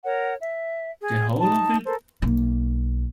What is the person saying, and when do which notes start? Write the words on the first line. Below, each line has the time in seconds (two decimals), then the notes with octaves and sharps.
The whole of it?.
0.05 A#4 C#5 F#5
0.41 E5
1.03 G#4
1.41 D#4 A5
1.86 A4 A#4 C5
2.22 B1 A#3